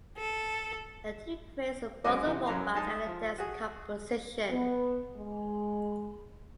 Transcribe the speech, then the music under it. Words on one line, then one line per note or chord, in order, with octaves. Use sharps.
A team creates both a robot and a dance composition.
A4
F#2 G#3 C4 F#4 C#5 D#5
F2 C3 E3
F#2 F#3 A#5 C6
G#3 D#4 A5 D#6
F3
F#4 G#4
B3
G#3